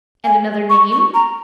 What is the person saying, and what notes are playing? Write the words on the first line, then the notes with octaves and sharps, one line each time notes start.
"And another name?"
G#5
C#6
C#6
A#5